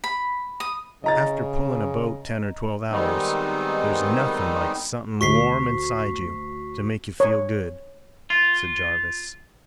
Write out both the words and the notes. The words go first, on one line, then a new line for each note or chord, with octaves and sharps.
"After pullin' a boat ten or twelve hours there's nothin' like somethin' warm inside you to make you feel good," said Jarvis.
B5
D#6
C#3 D#5 A#5 A6
D#3 G3 G#3 B3 C4 D#4
D2 C#6 B6 C7
C#5
F4